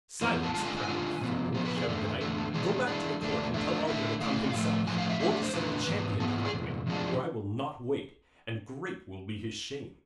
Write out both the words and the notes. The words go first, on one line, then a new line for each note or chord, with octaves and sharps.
'Silence, prating fool!' shouted the knight, 'go back to the court and tell Arthur to come himself, or to send a champion to fight me, or I will not wait, and great will be his shame.'
F2 E3 B3 E4 C5
A5
D3 G#3 D4 F4 A5
G#5
G#5
D3 G#3 D4 F4
C3 F3 B3
C3 F3 B3 C5
B4
G#4
E2 D3 A3 A4
E2 D3 A3 A4
A4
E3 G#3 D4
E3 G#3 D4
E2 D3 A3 D4
E2 D3 A3 D4 E5
D3 A3 E4
D3 A3 E4 F5
A2 F3 A3
A2 F3 A3 G#5
F5
E5
E2 D3 A3 D4 E5
E5
C5
E2 D3 A3 D4 B4
G#2 E3 B3
G#2 E3 B3 A4
G#4
F4
G#4
E2 C3
E2 C3 F3 G#3 D4